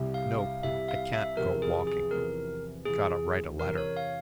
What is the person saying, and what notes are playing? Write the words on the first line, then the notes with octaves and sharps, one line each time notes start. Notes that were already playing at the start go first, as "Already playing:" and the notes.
"Nope, I can't go walking; gotta write a letter."
Already playing: C2 C3 G3
F5
F5
C2 C3 G3 E5
F5
E5
E2 C3 F3 C4 A#4
G#4
G#4
E2 C3 F3 C4 A#4
E2 C3 E3 G#4
E2 C3 E3 A#4
C#5
F5